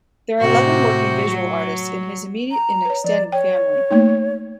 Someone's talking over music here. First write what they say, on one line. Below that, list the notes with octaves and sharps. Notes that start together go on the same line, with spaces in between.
There are eleven working visual artists in his immediate and extended family.
A2 C3 F#4
F#3
A#5
B4 C#5
F3 D5
C#5 G5
A3 A#3 D#4